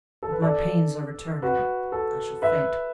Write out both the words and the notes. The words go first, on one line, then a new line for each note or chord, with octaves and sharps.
But my pains are returning, I shall faint.
A4
B4
A4 D5
F#4 B4
A4
B4 E5